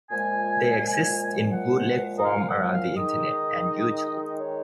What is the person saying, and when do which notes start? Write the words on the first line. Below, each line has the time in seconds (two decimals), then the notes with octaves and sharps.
They exist in bootleg form around the internet and YouTube.
0.09 A#2 F3 G#3 G#5
1.52 F#5
2.16 D#5
2.23 F5
2.47 F#5
2.71 F5
2.95 D#3 G#3 D#4 D#5
4.37 C#5